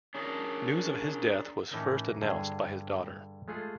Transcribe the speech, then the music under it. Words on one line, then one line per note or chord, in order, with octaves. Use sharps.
News of his death was first announced by his daughter.
C#4 D4 G#4 A#4
A2 E3 C#4 D#4 A#4 A5
G2 D3 G3 G#4
G#3 A3 F4 G#4 A4